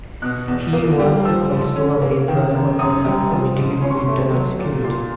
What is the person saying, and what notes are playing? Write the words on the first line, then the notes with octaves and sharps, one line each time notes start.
He was also a member of the Subcommittee on Internal Security.
B2 F#6
E2
A#3
G3
F3 E6
G#2
C#4
A#3
D#3
F#2
F#2 D#6
G3
F3
G#2
C#4 C6
C#6
C6
A3
F#3
A#2
A#2 C6